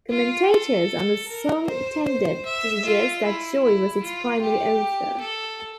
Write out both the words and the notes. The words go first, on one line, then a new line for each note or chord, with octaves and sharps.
Commentators on the song tended to suggest that Joey was its primary author.
F4
A4
A#4
C5
C5
E5
F4
E4
E4
F4
G4
A4